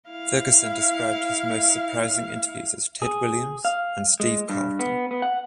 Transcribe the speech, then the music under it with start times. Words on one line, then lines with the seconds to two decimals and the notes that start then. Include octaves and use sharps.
Ferguson described his most surprising interviews as Ted Williams and Steve Carlton.
0.10 E4 F5
3.02 G#4
3.65 F5
4.20 G#3
4.50 G2
4.79 B3
5.11 B3
5.22 F#5